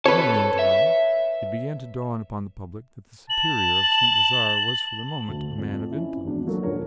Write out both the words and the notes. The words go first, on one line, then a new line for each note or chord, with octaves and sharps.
In the meantime it began to dawn upon the public that the Superior of St. Lazare was for the moment a man of influence.
A4 B4 C#5 A5
E5
A5 F#7
D2
F2
C#4 E4
G#1 E2 D4
F#3 A#3 F#4 A4
D#1 F3 D4 A#4 C#5